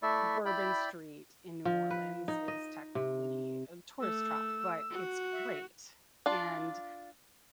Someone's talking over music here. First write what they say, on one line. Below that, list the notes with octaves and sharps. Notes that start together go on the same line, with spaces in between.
Bourbon Street in New Orleans is technically a tourist trap, but it's great, and
A3 E4 D5 E5
E4 D5 G5 B5
F3
B4
D#4
D#5
C3
A3 E6
F#4
E5
D4 F4